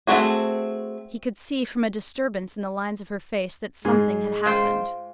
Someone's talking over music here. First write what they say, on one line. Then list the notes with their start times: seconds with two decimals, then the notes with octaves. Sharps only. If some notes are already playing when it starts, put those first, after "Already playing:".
He could see from a disturbance in the lines of her face that something had happened.
0.07 A3 B3 C4 F#4 G#4
3.85 G#2 G#3 G#4
4.46 F4 C5 G5